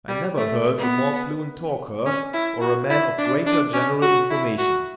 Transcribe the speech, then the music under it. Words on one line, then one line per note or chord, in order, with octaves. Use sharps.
I never heard a more fluent talker, or a man of greater general information.
G3
A3
B3
C#4
E4
F#4
E4
D4
D4
C#4
F#4
E4
F#4